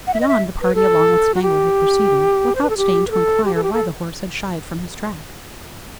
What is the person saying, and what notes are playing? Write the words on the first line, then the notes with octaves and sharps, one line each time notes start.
Beyond the party along with Spangler had proceeded--without staying to inquire why the horse had shied from his track.
F#5
E5
D#5
E5
B4
A4
F#4
G4
C5
B4
A4
G4
B4
A4
G4
A4
G4
A4